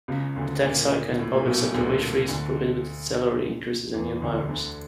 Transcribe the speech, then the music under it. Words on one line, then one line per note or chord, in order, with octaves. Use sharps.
The tax hike and public sector wage freeze prohibited salary increases and new hires.
C#2 C#3
D2 D3
A#2
A2
A#2
B1 B2
D2 D3
D2 D3
E2 E3
D2 D3
D2 D3